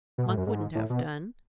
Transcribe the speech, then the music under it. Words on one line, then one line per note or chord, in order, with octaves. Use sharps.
Monk wouldn't have done.
B2
A2
F#2
G#2
A2
B2